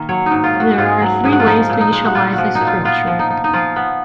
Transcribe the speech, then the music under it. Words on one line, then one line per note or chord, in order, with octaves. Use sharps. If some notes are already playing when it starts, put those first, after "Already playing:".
There are three ways to initialize a structure.
Already playing: D#3 A#3
F#3 C#5
D#4
G#2
F4
C#4
F#4
G#2 F4
F#3
G#2 G#4
F#4
F4
F3 D#4
A#2
D#4
G#3
F#4
A#2 F4
F3 F#4
D#4
A#2
F4
B3 F4
F3
D#4
D#4
D#4
F3 F4
B3